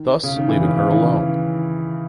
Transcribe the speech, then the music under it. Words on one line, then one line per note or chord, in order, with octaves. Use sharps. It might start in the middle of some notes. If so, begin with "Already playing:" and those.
Thus leaving her alone.
Already playing: D#3
C#3
D#3
E3
C#3
C#3
E3